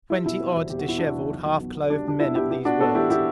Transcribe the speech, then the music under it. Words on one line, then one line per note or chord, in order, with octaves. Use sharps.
Twenty odd, disheveled, half-clothed men of these worlds.
G3 E4
B2 E4
C4
E2
B2 G4
F#4
B2 E4
B2 D4 F#4
E2
B1
B1
B2
B3
G3 D4
G3 D4
B3 E4
B2 E4 G4
B3 E4 G4
B3 D4 F#4
B3 F#4 A4
E3 E4 G4
B3 E4 G4